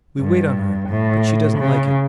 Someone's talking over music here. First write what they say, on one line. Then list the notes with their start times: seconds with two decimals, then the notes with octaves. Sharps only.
We wait on her, but she doesn't like it.
0.18 G2
0.89 A2
1.59 C#3